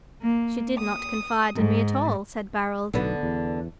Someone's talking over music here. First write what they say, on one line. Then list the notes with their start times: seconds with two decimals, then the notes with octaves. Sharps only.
"She did not confide in me at all," said Barold.
0.22 A#3
0.78 D#6
1.57 G#2
2.94 B1 D3 B3
3.23 E2